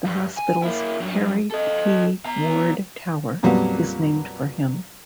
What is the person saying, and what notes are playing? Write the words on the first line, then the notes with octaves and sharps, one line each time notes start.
The hospital's Harry P. Ward Tower is named for him.
G2
G#5
A#3 E4
G2 F#3
A4 D#5
B2 A#5
F2 A#2 F#3 G3 B3